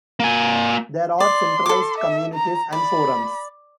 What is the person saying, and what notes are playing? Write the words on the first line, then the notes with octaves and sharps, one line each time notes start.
There are centralized communities and forums.
A#3 G#5
D5 C6
A4 D6
E5
A#5
D5 B5